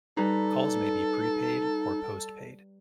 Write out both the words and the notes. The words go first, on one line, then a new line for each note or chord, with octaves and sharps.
Calls may be prepaid or postpaid.
G3 D#4 A4 B4 A#5